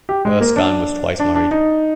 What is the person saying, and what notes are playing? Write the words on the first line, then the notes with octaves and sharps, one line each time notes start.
Erskine was twice married.
G4
G#3
A#3
D4
D4
D4
D#4